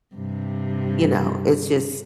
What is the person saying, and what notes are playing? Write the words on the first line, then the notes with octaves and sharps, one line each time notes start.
You know, it's just
G2 C3